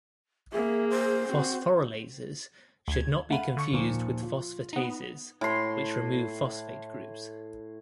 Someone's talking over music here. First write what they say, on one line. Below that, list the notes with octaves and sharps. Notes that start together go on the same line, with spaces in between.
Phosphorylases should not be confused with phosphatases, which remove phosphate groups.
A#3 G#4 E5
C5
C4 F#4
D2 G#6
A3 F5 F#5 B5 D#7 F#7
D3 C#6 C#7
D#2 A#2 F3
F4
B3 D#4
A2 C6